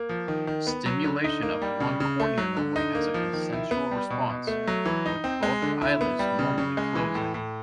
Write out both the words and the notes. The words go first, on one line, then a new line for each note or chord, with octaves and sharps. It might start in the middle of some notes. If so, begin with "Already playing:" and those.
Stimulation of one cornea normally has a consensual response, with both eyelids normally closing.
Already playing: A#3
F3
D#3
D#3
B3
F#3
D3
D#4
A#3
G3
C#3
C#3
A3
F#3
D3
D#4
A#3
F3
D#3
E4
B3
G3
B2
B2
A3
F#3
E3
D#4
C4
G#3
D3
E4
B3
G3
C#3
C#3
G#3
E3
A2
A2